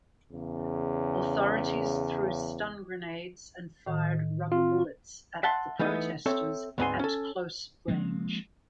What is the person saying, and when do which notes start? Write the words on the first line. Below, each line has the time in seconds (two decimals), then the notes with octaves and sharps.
Authorities threw stun grenades and fired rubber bullets at the protesters at close range.
0.32 E2 C#3
3.86 A2 D#3
4.52 C4 F4
5.43 E5 F#5 A5 C6
5.79 E3 A3 B3 D#4
6.26 C4 A4 C#5 E5
6.78 D2 G#2 B3 C4 G#5 C6
6.99 C#4 A4
7.88 F3 G#3 A#3 C4